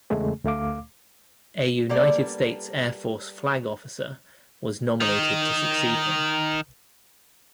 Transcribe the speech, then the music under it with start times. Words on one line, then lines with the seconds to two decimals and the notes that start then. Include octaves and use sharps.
A United States Air Force flag officer was nominated to succeed him.
0.10 E2 C#3 G#3 A3 G#4
0.44 D2 A3 F5 D6
1.89 G3 A#3 B3 A4 D5
5.00 D#3 D#4